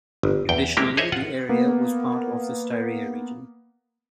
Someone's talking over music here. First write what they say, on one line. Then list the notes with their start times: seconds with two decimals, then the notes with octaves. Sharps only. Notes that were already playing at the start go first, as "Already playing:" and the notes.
Traditionally the area was part of the Styria region.
0.23 G1
0.49 E2 G5
0.77 G#3 A#3 E4 G4
0.97 G#4 C5 C#5 D#5 E5
1.12 F4 F#5
1.49 A#3 B3